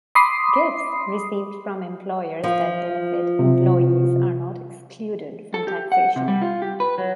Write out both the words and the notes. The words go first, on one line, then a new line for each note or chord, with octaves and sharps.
"Gifts" received from employers that benefit employees are not excluded from taxation.
B5 C6 D6 D#6 C7
F3
C3
A4
G4
F#5
C3
G3
F4
G4
B4
F#3